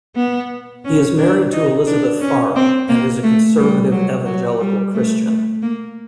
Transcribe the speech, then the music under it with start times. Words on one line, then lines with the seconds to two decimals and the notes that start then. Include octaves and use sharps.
He is married to Elizabeth Farah and is a conservative evangelical Christian.
0.16 B3
0.85 C#4
1.18 D4
1.52 D#4
1.87 D4
2.21 C#4
2.56 C4
2.89 A#3
3.23 A3
3.58 G3
3.91 F#3
4.25 F#3
4.60 G3
4.94 A3
5.28 A3
5.63 A#3